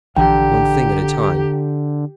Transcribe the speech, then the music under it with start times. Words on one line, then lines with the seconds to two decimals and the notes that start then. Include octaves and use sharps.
One thing at a time.
0.17 A#1 D3 E3 G4 G5 A#5